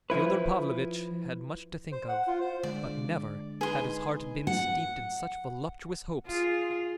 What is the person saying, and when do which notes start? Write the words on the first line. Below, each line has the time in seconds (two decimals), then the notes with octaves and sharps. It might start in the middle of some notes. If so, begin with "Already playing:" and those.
Fyodor Pavlovitch had much to think of, but never had his heart been steeped in such voluptuous hopes.
0.10 F3 E4 B4
1.92 C5
2.09 F#5
2.27 F4
2.40 C5
2.63 D3 G#3 D5
3.61 D#4 G#4 B4 C6
4.47 F#5
6.27 F4 G#4